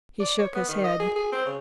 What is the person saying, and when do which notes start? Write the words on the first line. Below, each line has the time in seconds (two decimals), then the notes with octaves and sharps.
He shook his head.
0.20 D5
0.39 C#5
0.55 B3
0.68 D#3
0.84 D#5
1.00 G#4
1.16 G#4
1.32 C4
1.45 C#3